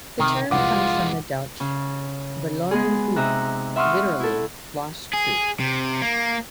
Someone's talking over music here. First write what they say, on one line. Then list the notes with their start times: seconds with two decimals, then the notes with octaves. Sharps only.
The term comes from the Dutch "verloren hoop", literally "lost troop".
0.19 C3 D#3
0.51 C2 F2 G#3 F4 B4 F#5 D6
1.60 C#3
2.71 G#3 B3 G#4
3.16 C3 D#4 E5 A#5 F#6
3.76 E5 F#5 C6 C#6 D#6 F6
4.20 E4 A4
5.13 G#4
5.60 C3
6.02 A#3